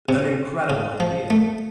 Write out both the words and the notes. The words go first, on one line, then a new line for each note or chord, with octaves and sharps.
an incredible idea,
C3
C#3
F3
A3